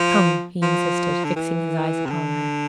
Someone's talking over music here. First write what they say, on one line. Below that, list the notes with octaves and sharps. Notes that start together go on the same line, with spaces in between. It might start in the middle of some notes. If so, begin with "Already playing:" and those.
"Come," he insisted, fixing his eyes upon her.
Already playing: F3
F3
D3
E3
C3
D3